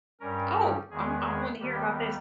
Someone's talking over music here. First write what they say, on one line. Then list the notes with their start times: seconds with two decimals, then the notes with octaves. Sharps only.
Oh! I'm I wanna hear about this.
0.20 G2 G3 C#4 A#4
0.90 E2 D#3 G#3 B3 G#4
1.25 G#4
1.59 D#2 D#3 G3 B3 G4